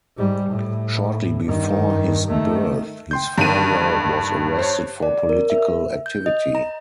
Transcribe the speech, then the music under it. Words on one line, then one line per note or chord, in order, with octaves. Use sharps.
Shortly before his birth, his father was arrested for political activity.
G#2 G3
A2
G2 D#3
D#3 A3
G5 C6 G6
G2 D3 D#3 D#7
C5 C#5
D5
A#4
E5
G6
D#5
A#5